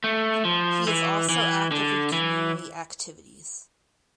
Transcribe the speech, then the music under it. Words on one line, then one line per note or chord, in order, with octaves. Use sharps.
He is also active in community activities.
A3
F3
E3
E3
D3
E3